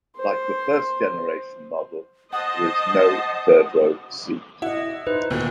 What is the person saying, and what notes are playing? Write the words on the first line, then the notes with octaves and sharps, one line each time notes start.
Like the first-generation model, there is no third-row seat.
C5
C5 D#5 F#5 A5 D#6
E4 D#5 F#5
D#4 B4 C5
D2 A#2 D#3 B3